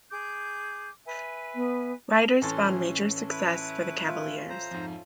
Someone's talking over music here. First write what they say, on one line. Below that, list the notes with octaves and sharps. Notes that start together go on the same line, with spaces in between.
Riders, found major success for the Cavaliers.
G#4 D6 G6
B4 E5 G#5
B3
A2 E3 C#4 A4 C6 A6
E4 B4
F4 E5
C5 A#5
F2 G#2